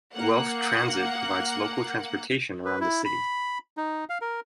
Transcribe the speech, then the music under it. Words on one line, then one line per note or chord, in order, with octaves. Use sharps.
Guelph Transit provides local transportation around the city.
A#3 F#5
B4
E4
B5
D#4
F5
A#4